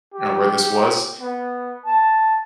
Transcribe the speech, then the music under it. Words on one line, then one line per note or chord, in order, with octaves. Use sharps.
uh, where this was,
G4
B3
A5